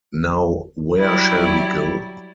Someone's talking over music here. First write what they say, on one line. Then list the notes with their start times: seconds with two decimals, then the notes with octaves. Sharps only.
Now where shall we go?
0.99 F#3 G3 E4